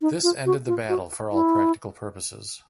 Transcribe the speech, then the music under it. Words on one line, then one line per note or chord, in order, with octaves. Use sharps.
This ended the battle for all practical purposes.
D#4
F4
F#4
F4
F#4
E4